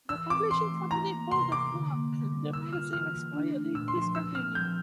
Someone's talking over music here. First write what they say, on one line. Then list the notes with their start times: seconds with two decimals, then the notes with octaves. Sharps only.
The publishing company pulled the plug and the magazine was quietly discontinued.
0.09 E3 E6
0.30 C4 D6
0.50 E3 C6
0.71 A3
0.91 E4 A#5
1.11 A#3
1.31 C3 C6
1.52 E3 D6
1.72 D3
1.93 A#3
2.13 D3
2.33 G3
2.53 A#4 E6
2.73 F4 F6
2.93 E3 F6
3.14 A#3
3.33 D4
3.54 A3
3.74 A#2 E6
3.88 C6
3.95 F3
4.02 C6
4.15 F3 E6
4.35 C4 F6
4.55 F3 G6